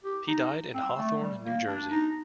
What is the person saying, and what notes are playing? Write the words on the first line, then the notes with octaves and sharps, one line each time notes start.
He died in Hawthorne, New Jersey.
G4
D#4
C4
A3
G3
A#3
D4
D#4